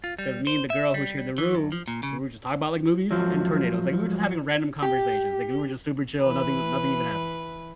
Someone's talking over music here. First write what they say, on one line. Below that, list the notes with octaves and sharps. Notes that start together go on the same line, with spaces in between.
'cause me and the girl who shared the room, we were just talking about, like, movies and tornadoes- like, we were just having a random conversations, like, we were just super chill, nothing nothing even happened.
F4
G3
C5
E5
G3
E3
F#2
F3
A#2
C#3
G#2 F3 F#3
G4
E3 B4